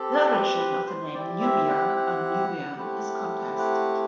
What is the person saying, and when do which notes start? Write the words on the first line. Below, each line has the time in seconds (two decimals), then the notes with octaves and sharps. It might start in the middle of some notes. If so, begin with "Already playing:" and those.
The origin of the name "Nubia" or "Nubian" is contested.
Already playing: C4 G4 A4
0.32 B4
0.59 B4
0.87 C5
1.14 C4 E4 G4 D5
1.41 E5
1.68 F#5
1.88 G5
1.96 F#5
2.77 A3 C4 E4 G4
3.59 F#5